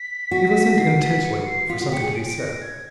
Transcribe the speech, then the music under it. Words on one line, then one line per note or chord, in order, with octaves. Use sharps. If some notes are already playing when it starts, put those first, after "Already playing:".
He listened intently for something to be said.
Already playing: B6
F#4
C7
B6
C#7
C7
F4 B6
F#4
G4 C#7
G#4
D7
A#6
G#6